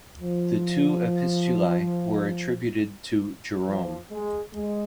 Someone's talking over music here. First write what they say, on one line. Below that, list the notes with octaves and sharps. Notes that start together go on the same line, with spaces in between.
The two Epistulae were attributed to Jerome.
F3
F3
G#3
G#3